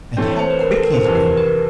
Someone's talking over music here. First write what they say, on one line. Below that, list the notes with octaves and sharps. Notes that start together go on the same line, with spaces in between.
And how quick he's been!
E3 A3 C4 C#5
C#5
C5
B4
A#4
A4
A#4
C5
F2 C3 E3 B4
A#4
A#4
B4